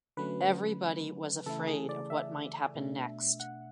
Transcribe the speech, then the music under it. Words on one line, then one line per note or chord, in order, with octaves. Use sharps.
Everybody was afraid of what might happen next.
D3 F#3 A3 C#4 B4
C#3 E3 A3 E4 A4
G#4
D5
E5
B2 A3 D4
F#5